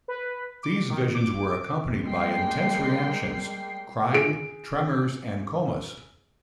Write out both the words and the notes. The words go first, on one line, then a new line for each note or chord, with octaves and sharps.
These visions were accompanied by intense reactions: crying, tremors, and comas.
B4
D6
D#3
D6
G3 G#3 A#3 G5 C7
G#4 D7